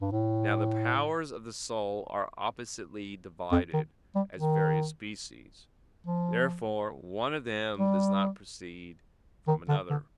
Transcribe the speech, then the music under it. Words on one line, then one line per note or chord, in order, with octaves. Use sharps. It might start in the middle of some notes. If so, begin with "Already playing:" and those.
Now the powers of the soul are oppositely divided, as various species. Therefore one of them does not proceed from another.
G2
A2
F2
D#3
G3
D#3
F3
G3
D#3
D3
D3